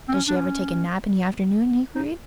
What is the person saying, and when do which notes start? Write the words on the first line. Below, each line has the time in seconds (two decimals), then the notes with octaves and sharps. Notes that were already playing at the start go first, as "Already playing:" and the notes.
"Does she ever take a nap in the afternoon?" he queried.
0.08 C4
0.14 C#4
0.28 D4
0.36 C#4
1.95 D#4